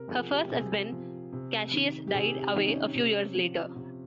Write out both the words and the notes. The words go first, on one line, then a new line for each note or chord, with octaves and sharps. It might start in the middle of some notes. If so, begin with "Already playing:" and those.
Her first husband, Cassius, died away a few years later.
Already playing: C3 A#4
F3 G#4
G4
C3 G#4
F3
C3
D#3
G4
C3 G#4
G4
D#3 D#4
C#4
C3
F3
C3